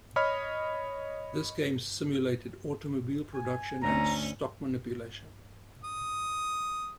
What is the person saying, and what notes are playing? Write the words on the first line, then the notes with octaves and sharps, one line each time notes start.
This game simulated automobile production and stock manipulation.
C#5 D#5 B5 F6
G#5
D2 C#4 A#5
D#6